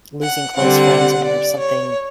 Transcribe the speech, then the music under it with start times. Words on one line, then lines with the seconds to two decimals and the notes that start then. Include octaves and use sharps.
losing close friends over something
0.22 F#5
0.56 D3 G3 C4 F#5
1.24 D5
1.58 C#5